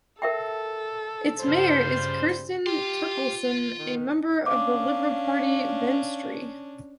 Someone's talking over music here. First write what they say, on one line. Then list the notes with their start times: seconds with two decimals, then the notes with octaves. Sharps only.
Its mayor is Kirsten Terkilsen, a member of the liberal party "Venstre".
0.22 A4 A#4 E5 G5
1.41 G2 C#3 G3 F4 C5
2.66 F4 G4 C6
3.79 D#3
4.46 C#4 D4 F5 D6